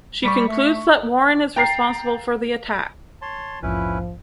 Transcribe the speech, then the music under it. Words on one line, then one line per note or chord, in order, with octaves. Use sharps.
She concludes that Warren is responsible for the attack.
G3 C#6 B6 C#7
A3
G5 A#5 A6 C7
C#5 A5 C6
A#1 E2 G#2 F3 C#4 E4 B4